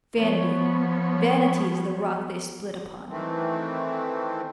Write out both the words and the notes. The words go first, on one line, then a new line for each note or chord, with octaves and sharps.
Vanity--vanity is the rock they split upon.
F3 B3 C#5
D#3 E3 A3 C4